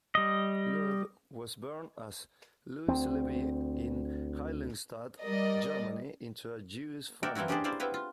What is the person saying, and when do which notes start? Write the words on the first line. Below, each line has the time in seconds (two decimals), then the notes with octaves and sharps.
Loewe was born as Louis Levy in Heiligenstadt, Germany into a Jewish family.
0.15 G3 D#5
2.88 D2 C4
5.20 G3 A#4 D5 D#5
7.23 F#4 A#4 D5 E5 G5
7.35 E3 A#3 C4 E4 F#4
7.48 C#4 D4 G4 G#4 C5 D5
7.64 A#3 E4 C5 D5 F5
7.80 B3 C4 E4 B4 F5
7.94 F4